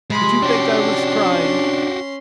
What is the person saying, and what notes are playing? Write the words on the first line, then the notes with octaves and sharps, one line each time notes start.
Did you think I was crying?
C3 F3 G#3 B5
C#4 D4 F#4 G4 D5 C6